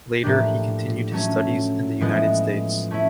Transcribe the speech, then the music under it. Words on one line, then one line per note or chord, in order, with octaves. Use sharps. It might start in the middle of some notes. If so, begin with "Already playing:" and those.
Later he continued his studies in the United States.
A2 F3 A#3 D4 G4
F#3 A3 C#4
A2 F3 G#3 B3 E4
A3 C#4 E4